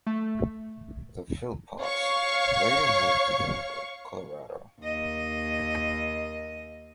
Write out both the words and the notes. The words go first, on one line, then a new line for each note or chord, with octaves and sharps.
The Philpotts later moved to Denver, Colorado.
A3
C#5 F5 C#6
D#2 D#5